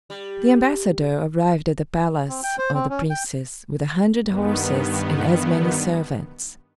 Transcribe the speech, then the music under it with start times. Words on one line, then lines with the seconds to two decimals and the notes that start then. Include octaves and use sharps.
The ambassador arrived at the palace of the Princess with a hundred horses and as many servants.
0.10 G3
2.29 C4
2.43 G5
2.58 C5
2.74 C4
2.90 C#4
3.10 G5
4.24 G2 D#3 B3